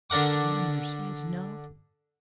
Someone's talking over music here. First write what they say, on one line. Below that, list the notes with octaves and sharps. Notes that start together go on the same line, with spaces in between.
"Munner says no."
D3 D4 A#4 F#5 D6